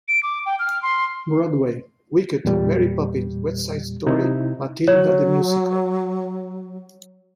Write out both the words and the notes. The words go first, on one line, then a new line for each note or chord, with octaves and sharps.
Broadway: Wicked, Mary Poppins, West Side Story, Matilda the Musical.
D7
D6
G5
F6
C6
E2 A#2 G3
C3 D#4 E4
F#3 C#5